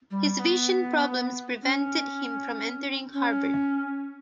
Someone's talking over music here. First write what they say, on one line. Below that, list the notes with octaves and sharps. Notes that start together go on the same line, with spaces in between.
His vision problems prevented him from entering Harvard.
G3
B3
C#4
C#4